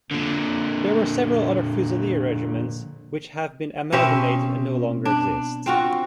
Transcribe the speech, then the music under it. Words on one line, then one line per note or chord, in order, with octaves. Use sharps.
There were several other fusilier regiments which have been amalgamated and no longer exist.
A#2 D3
B2 C4 C#4 E5
D4
C4 F4 F#4